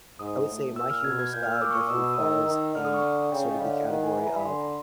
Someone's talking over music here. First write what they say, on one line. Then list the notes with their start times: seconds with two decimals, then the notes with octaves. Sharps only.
I would say my humor style definitely falls in sort of the category of
0.19 G#2 D#6
0.48 A2
0.76 A#2 E6
0.91 F6
1.04 B2 G#6
1.19 G#6
1.33 A#2 G6
1.43 F6
1.52 E6
1.62 D6
1.71 C#6
1.81 D#6
1.90 B2 E6
2.04 E6
2.13 D#6
2.19 D#3 E6
2.47 D#3
2.75 D3 F6
2.85 D#6
2.94 C#6
3.32 C#3 G5
3.41 C#5
3.51 D#5
3.60 D3 F5
3.89 D#3 F#5
4.03 G#5
4.17 E3 G#5
4.27 A#5
4.36 B5
4.45 D3 C6
4.60 A#5